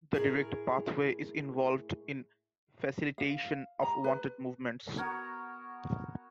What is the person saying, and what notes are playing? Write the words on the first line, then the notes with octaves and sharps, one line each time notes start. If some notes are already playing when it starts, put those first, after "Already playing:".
The direct pathway is involved in facilitation of wanted movements.
A2 G#4 A#4
F5
A#5
B4
B3 F#4 A#4 C#5